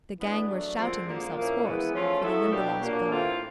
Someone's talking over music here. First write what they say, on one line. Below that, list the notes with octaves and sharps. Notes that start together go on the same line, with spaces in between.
The gang were shouting themselves hoarse for the Limberlost guard.
E3 G#3 B3 D4
F#3 A3 D4
F#2 D3 F3 G#3 C4
F#2 D3 F3 A#3
A#2 F3 A#3 C#4 E4
E3 G#3 B3
F3 A3 C#4 F4
F#3 B3 E4 A4
B2 G3 A#3 D4 G4
A#2 F#3 A#3 D4
A2 E3 A3 C4 F4